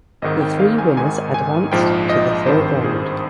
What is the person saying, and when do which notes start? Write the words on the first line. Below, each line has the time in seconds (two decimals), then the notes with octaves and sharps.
The three winners advanced to the third round.
0.22 G#1 G#2 D#3 D#5
0.41 G5
0.59 F5
0.78 G#5
0.97 G#1 G#2 D#3 G#5
1.34 G#5
1.72 A#1 G#2 F3 G5
2.09 D#5
2.46 G#1 G2 D#3 C5
2.84 G#4